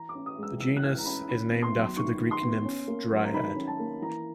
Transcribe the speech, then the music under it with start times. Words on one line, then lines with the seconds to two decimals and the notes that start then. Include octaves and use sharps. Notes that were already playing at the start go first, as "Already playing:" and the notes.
The genus is named after the Greek nymph Dryad.
Already playing: E3 A#5
0.09 D6
0.15 C#4
0.26 D#6
0.38 G#3 E6
0.60 E3 E6
0.77 F#6
0.83 E3 F6
0.98 A#5
1.05 C#4 B5
1.28 D#3 B5
1.51 B3
1.63 C6
1.74 F#3
1.96 D#3 C#6
2.20 D#3
2.31 C6
2.42 B3
2.65 C#4
2.88 A#3
3.11 F#3
3.24 A#5
3.34 D#3 B5
3.56 C#4
3.68 A5
3.80 A#3
4.02 E3 A#5